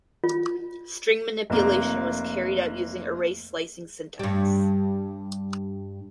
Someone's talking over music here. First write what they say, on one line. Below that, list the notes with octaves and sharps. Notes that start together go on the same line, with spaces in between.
String manipulation was carried out using array slicing syntax.
F4
F1 A#3
G2 G3